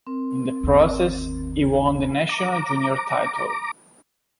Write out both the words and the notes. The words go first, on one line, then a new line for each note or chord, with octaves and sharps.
In the process he won the national junior title.
C4 A#4
G1 D#2
A#5 D6